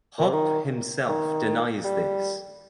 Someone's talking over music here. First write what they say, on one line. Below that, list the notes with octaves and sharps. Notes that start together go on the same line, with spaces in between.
Hopp himself denies this.
A#2
C3
D#3
D#3
G3